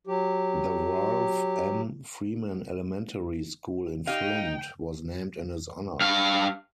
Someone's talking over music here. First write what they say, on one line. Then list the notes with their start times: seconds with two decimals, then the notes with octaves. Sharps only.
The Ralph M. Freeman Elementary School in Flint was named in his honor.
0.07 F#3 G4
4.07 D#4 G4 F5 G5
6.01 G2 F5